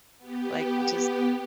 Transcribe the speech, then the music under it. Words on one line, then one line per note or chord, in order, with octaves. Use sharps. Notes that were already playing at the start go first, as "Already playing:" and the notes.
like, just
B3 G4